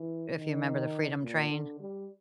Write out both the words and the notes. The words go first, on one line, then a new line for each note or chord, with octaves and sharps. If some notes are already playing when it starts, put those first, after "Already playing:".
if you 'member the Freedom Train-
Already playing: E3
D#3
A#2
D3
G3